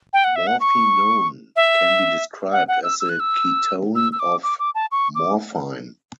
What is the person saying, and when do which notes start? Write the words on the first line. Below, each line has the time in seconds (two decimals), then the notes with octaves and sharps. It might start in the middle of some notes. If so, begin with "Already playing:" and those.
Morphinone can be described as the ketone of morphine.
0.13 G5
0.24 F#5
0.36 E5
0.47 F#5
0.60 C#6
1.56 E5
2.52 F#5
2.68 F#5
2.84 E6
3.00 E6
3.09 F#6
3.20 E6
3.95 E6
4.12 E6
4.20 D6
4.43 D6
4.59 D6
4.75 A5
4.92 C#6
5.15 D6